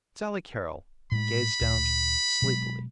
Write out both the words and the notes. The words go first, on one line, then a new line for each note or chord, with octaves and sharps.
Sally Carrol gazed down sleepily.
A2 G#3 B5
D2 A#2
B2 F#3 G#3